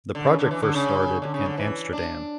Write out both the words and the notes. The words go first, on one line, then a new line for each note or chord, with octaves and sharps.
The project first started in Amsterdam.
D3
C#3
D3
E3
D3
C#3
D3
C#3
D3
E3
D4